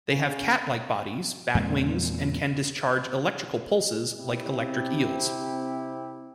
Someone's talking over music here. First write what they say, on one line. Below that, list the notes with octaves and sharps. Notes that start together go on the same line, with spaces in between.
They have cat-like bodies, bat wings, and can discharge electrical pulses like electric eels.
C#3
E2 A#2 G#3 C4
C3 C4 E4 G4